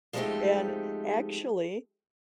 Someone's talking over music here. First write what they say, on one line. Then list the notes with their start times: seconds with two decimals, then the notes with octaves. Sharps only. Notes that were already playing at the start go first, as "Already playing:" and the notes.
and actually,
0.13 F3 G#3 A3 C4 D#4 G4